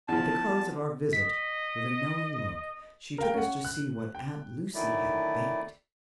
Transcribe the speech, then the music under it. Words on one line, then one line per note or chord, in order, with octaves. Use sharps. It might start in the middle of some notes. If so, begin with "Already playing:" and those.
At the close of our visit, with a knowing look, she took us to see what Aunt Lucy had baked.
E2 F3 A5
D#5 B6
A#4 F5 G5
C#4 F#5
F#6
G5
D3 D#3 F#3 A3 E4 D5